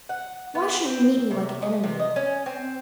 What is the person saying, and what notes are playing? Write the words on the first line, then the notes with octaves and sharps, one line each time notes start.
Why should you meet me like an enemy?
F#5
B3
C4
C3
D#5
C3
D#5
C#4
C4